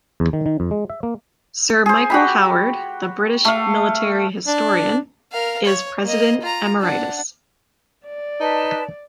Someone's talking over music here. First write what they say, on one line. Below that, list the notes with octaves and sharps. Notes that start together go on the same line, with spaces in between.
Sir Michael Howard, the British military historian, is President Emeritus.
E2
D#3
D#3
F2
G#3
E5
A#3
G#4 C5
F#4 G4 B5
A3 F5
D4
A#4 F5
C#5
A#3 D#5
F4 A#5
D4 F#5
D5
D#4 B4 A5